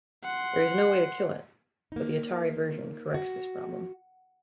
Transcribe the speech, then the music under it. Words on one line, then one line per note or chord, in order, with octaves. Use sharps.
There is no way to kill it, but the Atari version corrects this problem.
F#5 C6
A#3 D#4
F#4